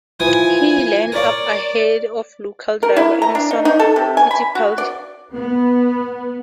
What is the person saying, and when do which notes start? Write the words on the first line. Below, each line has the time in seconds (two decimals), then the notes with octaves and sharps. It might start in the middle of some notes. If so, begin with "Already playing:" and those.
He lined up ahead of local driver Emerson Fittipaldi.
0.20 E3 F3 G#5 D#6
1.12 A#4 C#5 D5
2.83 A#4
2.96 E4
3.22 A#5
3.35 D4
3.51 D#4
3.65 D#4
3.80 A4
3.96 C3
4.17 G#5
4.31 B5
4.55 F#4
4.78 D5
5.33 B3